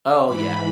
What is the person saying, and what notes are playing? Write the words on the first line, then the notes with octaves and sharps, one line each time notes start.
Oh, yeah.
G#2 E3 B5